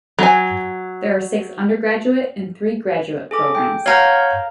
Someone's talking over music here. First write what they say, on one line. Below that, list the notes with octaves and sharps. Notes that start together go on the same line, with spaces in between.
There are six undergraduate and three graduate programs.
F#3 G#5
G#4 A4 D6
G5
A#4 C#5 F5 F#5 G6